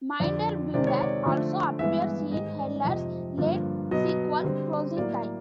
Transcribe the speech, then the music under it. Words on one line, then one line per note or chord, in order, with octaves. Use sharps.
Minderbinder also appears in Heller's late sequel "Closing Time".
F2 D3 F3 D5
C3 D#3 G#3 C4 D5
C#5
D5
D3 F3 A3 C4
G2 E3 G#3 B3 E5
G#2 D#3 G#3 D#5
D5
F2 C3 F3 D#5
G2 D3 F3 A#3
B2 F#3 B3 D#5
D3 G3 C4
A2 F#3 A#3 D5